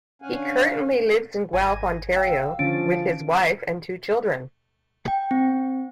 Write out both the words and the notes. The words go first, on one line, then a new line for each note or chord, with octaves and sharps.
He currently lives in Guelph, Ontario with his wife and two children.
D3 C#4 F5 F#5 G#5
G#1 G#5 A#6
F5 G5 E6
D3 F3 C#4 A6 D7
G5
C4